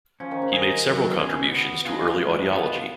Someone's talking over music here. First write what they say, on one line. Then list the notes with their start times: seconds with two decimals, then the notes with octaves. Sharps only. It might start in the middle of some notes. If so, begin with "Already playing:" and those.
He made several contributions to early audiology.
0.20 F3 C#4
0.31 D#3
0.42 C#3
0.53 D#3 G#4 D#5
0.86 B2 F#3
1.19 C#4 G#4
1.52 B3
1.85 F4 G#4 B4 D#5
2.19 G#3
2.51 B3 F4 B4 D#5